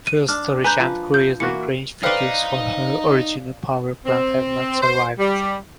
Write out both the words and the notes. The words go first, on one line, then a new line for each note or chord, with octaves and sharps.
Fuel storage and cruising range figures for her original power plant have not survived.
D#7
D4 F6
B4 G#5 A#5 G6
F3
G6
E3 A#3 F#4 C#7
D#4 B4 C5 D5 F5 G5
C4
C5
G3